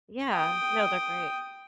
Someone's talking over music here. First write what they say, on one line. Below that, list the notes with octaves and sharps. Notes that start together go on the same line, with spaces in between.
Yeah. No, they're great.
G5 D#6